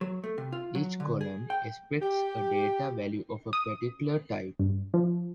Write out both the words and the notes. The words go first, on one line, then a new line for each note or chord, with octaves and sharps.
Each column expects a data value of a particular type.
F#3
A3
C3
F4
F#3
D3
G#4
G5
G4
D#6
G2
F3